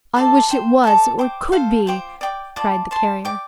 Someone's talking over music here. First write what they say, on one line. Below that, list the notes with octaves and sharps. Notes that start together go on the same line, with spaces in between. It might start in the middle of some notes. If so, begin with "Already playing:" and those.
"I wish it was, or could be!" cried the Carrier.
F4 A4 D5 A5
C5 G5 C6
A4 D5 A5
C5 G5 D6
F4 A4 C5 F5
F4 C5 G5 D6
D5 G5 D6
F4 D5 A5
C5 A5 C6
D5 G5 D6